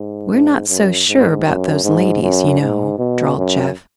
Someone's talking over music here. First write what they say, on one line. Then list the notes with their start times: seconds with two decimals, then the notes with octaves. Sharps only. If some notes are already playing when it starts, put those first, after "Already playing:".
"We're not so sure about those ladies, you know," drawled Jeff.
Already playing: G#2
0.31 G#2
0.69 F#2
1.08 G#2
1.46 F#2
1.84 G#2
2.23 F#2
2.60 G#2
2.99 B2
3.37 F#2